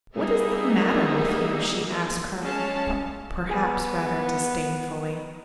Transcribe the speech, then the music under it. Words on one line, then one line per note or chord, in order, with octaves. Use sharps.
"What is the matter with you?" she asked her, perhaps rather disdainfully.
G3 A#3 B3 D#4 G#4 E5
G#3 C#4 F5 A5
B3 G#4 G#5